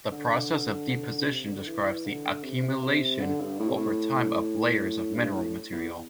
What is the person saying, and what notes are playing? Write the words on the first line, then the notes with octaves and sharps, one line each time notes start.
The process of deposition describes the accumulation, over time, of layers of mineral material.
D3
D3
C3
D3
E3
D3
C3
C3
C3
D3
G2
A2
C3
A2
G2
A2
E2